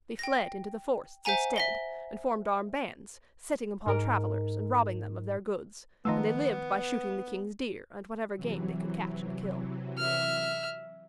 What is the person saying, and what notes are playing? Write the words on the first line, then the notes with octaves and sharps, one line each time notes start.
They fled into the forests instead and formed armed bands, setting upon travelers and robbing them of their goods; and they lived by shooting the King's deer and whatever game they could catch and kill.
G5 A#6
C5 E5 F#5 G#5 A#5
E5 A#6 G7
G#2 A#4 D7
D#3 F3 A3 B3
C3 E3 F#3
E5 F6